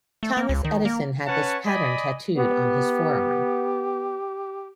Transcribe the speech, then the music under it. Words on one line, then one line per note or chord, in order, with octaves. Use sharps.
Thomas Edison had this pattern tattooed on his forearm.
A3
A#3
C#2
D#3
A#3
C#4 B4 C#5 F#5 A5
D5 D#5 G#5 B5 D#6
B3 G4